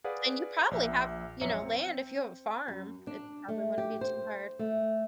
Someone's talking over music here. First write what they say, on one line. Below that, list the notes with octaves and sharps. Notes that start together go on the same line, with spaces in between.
and you probably have, you know, land, if you have a farm. It probably wouldn't be too hard.
G#4 B4 D5 F5 F#5
A#1 E5
A#1 F#2 C#5 E5 A#5 C#7
C4
F#2
D4
A3
G4
C5
A3